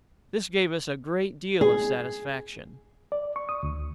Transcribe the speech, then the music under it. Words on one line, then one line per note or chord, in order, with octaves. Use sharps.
This gave us a great deal of satisfaction.
G#4
D5
C#6
D#6
D2